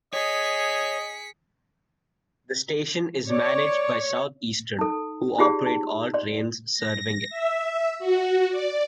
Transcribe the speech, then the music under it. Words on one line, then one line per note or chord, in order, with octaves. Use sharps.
The station is managed by Southeastern, who operate all trains serving it.
G#4 C#5 D#5 B6 C#7
C#5 D5
D#4 A4
D#4 F4 G4 G#4 D5
D#4
D5 C6
A#6
E5
F#4
D5